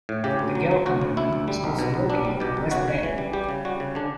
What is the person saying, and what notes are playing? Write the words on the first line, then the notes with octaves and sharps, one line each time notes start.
The Gehl Company is also located in West Bend.
A2
C#3 G4
D2
F#3
F#3
D2 F#4
D2
D2 E4
D2
G3
B1
B2
B1
B1 D4
G3
B2 G4
B1
C#3 F#4
C#3
E3
G3
G3 G4
C#3
G3 F#4
C#3
D3 D4